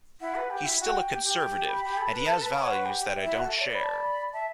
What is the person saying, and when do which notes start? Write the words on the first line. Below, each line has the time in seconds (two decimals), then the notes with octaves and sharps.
He's still a Conservative and he has values that I don't share.
0.21 E4 F#5
0.35 B4
0.50 G4
0.65 E4
0.80 F#4 G5
1.09 G4
1.23 G4
1.38 G5
1.68 B5
1.85 G4
1.97 A4
2.12 B4
2.26 A4 A5
2.42 B4
2.56 C#5 F#5
2.71 B4
2.86 G4
3.01 G4
3.16 E5
3.25 E4
3.34 F#4
3.45 A4 E5
3.59 C#5 D5
3.74 B5
3.84 A5
3.94 B5
4.33 E5 A5